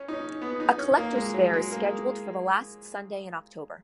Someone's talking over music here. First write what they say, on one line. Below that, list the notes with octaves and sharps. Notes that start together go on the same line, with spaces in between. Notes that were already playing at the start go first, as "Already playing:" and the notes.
A collectors fair is scheduled for the last Sunday in October.
Already playing: C#4
D#4
C#4
B3
D#4
C#4
A#3
G#3
F#3
G#3
A#3